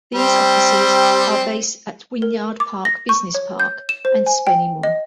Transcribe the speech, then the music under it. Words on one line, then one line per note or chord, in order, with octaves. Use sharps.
These officers are based at Wynyard Park Business Park and Spennymoor.
G3 C4
A#4
D6
A#6
C#6
C#5
G6
E7
C5
G#5
G5
D#5